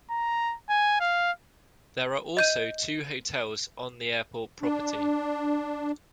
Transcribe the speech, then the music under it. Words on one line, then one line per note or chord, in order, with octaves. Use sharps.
There are also two hotels on the airport property.
A#5
G#5
F5
D#5 G6 D#7
D4